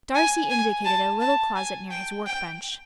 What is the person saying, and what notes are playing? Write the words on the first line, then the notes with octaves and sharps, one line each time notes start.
Darcy indicated a little closet near his work bench.
G#5
G#5
A5
A5
G#5
G5
G5